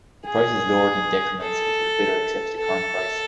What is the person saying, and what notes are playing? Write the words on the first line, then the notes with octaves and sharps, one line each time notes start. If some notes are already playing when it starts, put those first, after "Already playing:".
The price is lowered in decrements until a bidder accepts the current price.
G#4
A4
A4